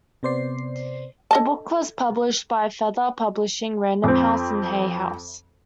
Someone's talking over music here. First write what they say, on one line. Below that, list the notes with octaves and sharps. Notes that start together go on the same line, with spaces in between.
The book was published by Feather Publishing, Random House, and Hay House.
C3 B3 C5 D5 C7
A4 D#5 A5
F2 C4